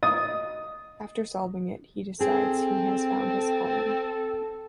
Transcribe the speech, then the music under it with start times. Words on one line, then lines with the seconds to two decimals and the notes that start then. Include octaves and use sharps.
After solving it, he decides he has found his calling.
0.03 D#5 D#6
2.21 C4 G#4 A4